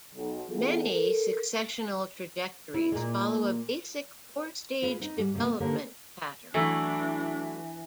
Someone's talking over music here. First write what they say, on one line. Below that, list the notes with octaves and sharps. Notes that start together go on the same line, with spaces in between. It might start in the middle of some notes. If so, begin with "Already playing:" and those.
Many successional trajectories follow a basic four-stage development pattern.
B1
E3 B3 C4 F4 G#4 A4
A4 A#4
E4
A#2 G#3
F4 G#4 B4
C4 D#4
G#2 G3
D2 C3 G3 A3 A#3
B3
D3 A#3 G4 A4 A#4 C#5
E3 F#3 A3 D4 E4